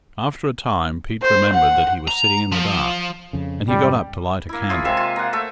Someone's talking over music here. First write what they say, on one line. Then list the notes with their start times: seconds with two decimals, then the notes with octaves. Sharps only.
After a time, Pete remembered that he was sitting in the dark, and he got up to light a candle.
1.23 C5
1.54 F#5
2.08 A#5
2.52 F3
3.33 F2 C#3
3.68 F2 G#2 C#3 G3
4.49 A#3 E4
4.70 F4 G#4 C#5 E5
4.85 C3 G#3 E5 F5
4.97 F4
5.16 A#3 F#5
5.33 A3 A4 E5